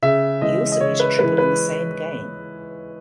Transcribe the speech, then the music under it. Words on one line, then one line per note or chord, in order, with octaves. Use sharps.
He also hit a triple in the same game.
C#3 E5
E3 G#3 D#5
D#5
C#3 C#5
B4
E3 G#3 B4
B4